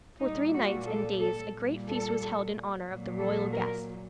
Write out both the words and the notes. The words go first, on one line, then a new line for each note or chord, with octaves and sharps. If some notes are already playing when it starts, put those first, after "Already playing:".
For three nights and days a great feast was held in honour of the royal guests.
A#2 G3 D#4
F#4
A4
A4
A#2 G3
A4
A#2 F#3
A4
A#4